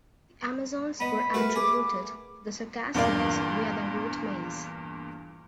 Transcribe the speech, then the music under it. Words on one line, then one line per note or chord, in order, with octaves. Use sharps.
The Amazons were attributed to the Circassians via the root "maze".
B3 D#5 B5
A3 F#4 A#4 B4
G#4 D6
E2 G2 A#2 A#3 D5 F5